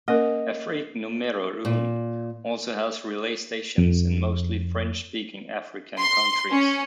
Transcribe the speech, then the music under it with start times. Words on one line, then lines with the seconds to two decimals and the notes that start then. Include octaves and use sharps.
Afrique Numero Un also has relay stations in mostly French-speaking African countries.
0.08 A#3 C#4 A#4 D#5
1.65 A#2
3.78 F2
5.99 C6
6.50 C#4